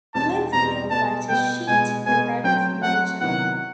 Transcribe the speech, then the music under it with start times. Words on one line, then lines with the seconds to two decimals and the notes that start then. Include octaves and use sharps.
Bloomfield later achieved the rank of major.
0.14 E2 B2 G3 C4 A5
0.52 E2 B2 G3 C4 A#5
0.91 B2 G3 B3 A5
1.29 B2 G3 B3 G5
1.67 B2 G#3 B3 G#5
2.06 B2 G#3 B3 G#5
2.44 F#3 A3 C4 G5
2.83 F#3 A3 C4 F#5
3.21 C3 D#3 F#3 B3 E4 F#5